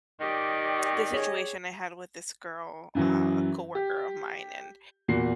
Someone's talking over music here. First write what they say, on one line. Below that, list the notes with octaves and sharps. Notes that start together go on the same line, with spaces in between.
the situation I had with this girl, uh, a coworker of mine, and,
D#3 G4 D5 D#5
G#4 C#5
F#2 E3 F#3
G4
E2 A#2 F#4 C7